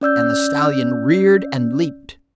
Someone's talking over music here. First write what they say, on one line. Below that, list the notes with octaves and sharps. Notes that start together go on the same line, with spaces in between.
And the stallion reared and leaped.
C#4 D5 E6 G6